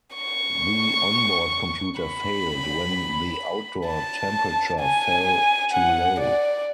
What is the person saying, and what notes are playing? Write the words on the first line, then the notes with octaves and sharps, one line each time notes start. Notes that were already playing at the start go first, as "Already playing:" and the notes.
The on-board computer failed when the outdoor temperature fell too low.
C#6
B5
A5
G#5
F#5
D5